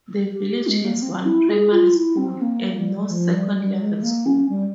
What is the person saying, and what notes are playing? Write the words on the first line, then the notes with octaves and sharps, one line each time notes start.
The village has one primary school, and no second level school.
G4
G4
G#3
A#3
C4
E4
G#4
F4
E4
C4
A#3
G3
F3
G3
G3
G#3
A#3
C#4
G3